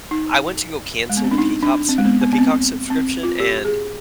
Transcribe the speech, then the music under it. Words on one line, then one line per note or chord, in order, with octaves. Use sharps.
I went to go cancel the Peacops the Peacock subscription, and
D#4
G#3
B3
C4
D4
D#4
D4
C4
G#3
B3
B3
B3
C4
C4
F4
G4
G#4